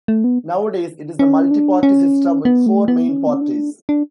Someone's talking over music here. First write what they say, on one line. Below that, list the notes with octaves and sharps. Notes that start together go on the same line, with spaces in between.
Nowadays it is a multi-party system with four main parties.
A3
B3
C#4
D4
C#4
B3
A3
B3
C#4
B3
C#4
D4
D4